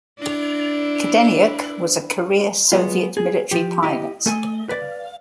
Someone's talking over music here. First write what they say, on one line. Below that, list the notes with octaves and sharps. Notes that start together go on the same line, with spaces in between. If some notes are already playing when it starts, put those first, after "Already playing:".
Kadeniuk was a career Soviet military pilot.
D4 E4
F#3 G#3 B3 F4
G#4
F3 G4
E4 G4 D#5
A3 A4 G#5
B4 D5